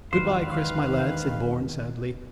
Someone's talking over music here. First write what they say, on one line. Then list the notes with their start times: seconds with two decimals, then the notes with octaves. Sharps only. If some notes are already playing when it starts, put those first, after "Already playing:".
"Good-bye, Chris, my lad," said Bourne sadly.
0.13 E2 G#2 D3 D#3 B4 C5 F5